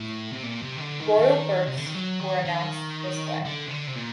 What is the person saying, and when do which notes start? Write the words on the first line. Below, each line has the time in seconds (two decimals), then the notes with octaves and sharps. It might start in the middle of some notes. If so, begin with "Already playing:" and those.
Royal births were announced this way.
Already playing: A2
0.33 C3
0.44 A#2
0.62 C3
0.77 D#3
0.81 D3
1.00 D#3
1.19 D#3
1.67 C3
1.76 D3
1.85 D#3
1.95 F#3
2.20 D#3
2.45 D#3
3.45 D3
3.66 C3
3.71 D3
3.87 C3
3.96 A#2